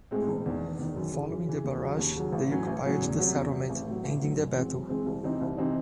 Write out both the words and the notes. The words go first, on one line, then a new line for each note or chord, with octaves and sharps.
Following the barrage, they occupied the settlement, ending the battle.
A2 G#3 C4
E1
E2 D#3
E1
E2 D#3
F#2
C#3 E3
F#2
C#3 E3
D#2
C#3 F#3
D#2
C#3 F#3
A1
A2 F#3 C#4
A1
A2 F#3 C#4
E2
C3 F#3
E2
C3 F#3
A1
A2 F#3
A1
A2 F#3
F#2
E3 G#3 C4
F#2
E3 G#3 C4
C2
C3 E3 C4 D#4
C2
C3 E3 C4 D#4